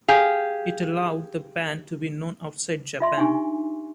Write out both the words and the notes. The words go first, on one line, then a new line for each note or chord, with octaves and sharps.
It allowed the band to be known outside Japan.
G4 G#4 F5
F4 E5 C6
D4 D#4 G4 G#5 C#6